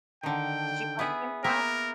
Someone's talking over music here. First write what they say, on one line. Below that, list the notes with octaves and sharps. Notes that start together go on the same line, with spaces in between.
Did you like gym class?
D3 D#3 G5
B3 E4 G#4
A#3 B3 A#4 E5